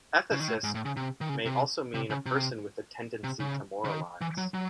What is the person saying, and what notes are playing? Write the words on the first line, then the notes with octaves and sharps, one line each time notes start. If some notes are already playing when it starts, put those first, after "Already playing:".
"Ethicist" may also mean a person with a tendency to moralize.
C#3
D#3
A2
G#2
A2
C#3
C3
D#3
C#3
C3
C3
C#3
C3
C3
C#3
C#3
D#3
E3
F#3
F#3